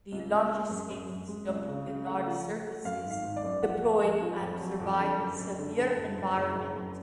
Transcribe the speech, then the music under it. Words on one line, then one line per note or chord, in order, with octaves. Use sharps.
The launch escape system canard surfaces deployed and survived the severe environment.
C#2
C#2
G#3
F#2
F#2
F#2
G#3
C#2
C#3
C#3
A3 F#5
F3
A3
A3
F#2 F5
G#1
F5
G#1
D5
F#2
F3 F#5
F2
F2 G#5
F3
F2
F#3
F2
D3
F#2
F#2
D3
D3
F#1
F#1
F#1
F#1
F#2